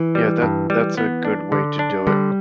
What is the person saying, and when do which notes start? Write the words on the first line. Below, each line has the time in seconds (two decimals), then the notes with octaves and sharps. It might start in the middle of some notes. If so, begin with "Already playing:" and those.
Yeah, that that's a good way to do it.
Already playing: E3
0.15 G3
0.42 G2
0.70 G3
0.97 B3
1.25 D4
1.52 D3
1.79 D4
2.07 D3 G3